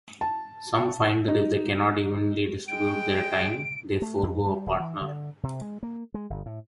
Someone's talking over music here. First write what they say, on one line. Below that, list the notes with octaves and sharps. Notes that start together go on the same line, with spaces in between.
Some find that if they cannot evenly distribute their time, they forego a partner.
A5
D#4
G#3 G5 D7
A3
F2
G3
D#1
E3
D3
C3
G#3
A#3
G#3
G1
A2